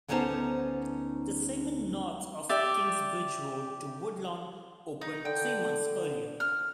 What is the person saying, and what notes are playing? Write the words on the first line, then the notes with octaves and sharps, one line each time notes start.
The segment north of Kingsbridge Road to Woodlawn opened three months earlier.
D2 B3 C#4 D#4 C5 A5
G4 D5 E5
D#4
D3 G5
F6